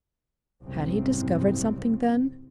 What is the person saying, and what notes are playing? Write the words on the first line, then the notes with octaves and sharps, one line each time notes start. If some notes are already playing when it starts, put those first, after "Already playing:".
Had he discovered something then?
F#1 C2 G#2 C#3 C4